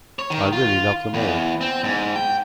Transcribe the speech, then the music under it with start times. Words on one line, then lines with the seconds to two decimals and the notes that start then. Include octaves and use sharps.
I really love them all.
0.19 C#5
0.30 D#3
0.53 F4
1.14 E2
1.61 C4
1.84 G#2
2.16 G5